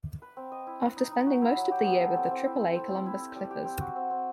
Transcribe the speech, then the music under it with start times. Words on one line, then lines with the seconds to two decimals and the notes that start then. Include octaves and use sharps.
After spending most of the year with the Triple-A Columbus Clippers.
0.22 B4
0.37 C4
0.52 D#5
0.67 E4
0.82 B4
0.97 D#4
1.12 D#4
1.26 F#4
1.42 E4
1.56 F#3
1.72 G4
1.86 B3
2.01 A4
2.16 C4
2.31 C4
2.46 E4
2.61 A4
2.76 C4
2.91 C4
3.06 E4
3.21 E4
3.36 G3
3.51 G4
3.66 C4
3.81 F#4
3.96 C4
4.11 C4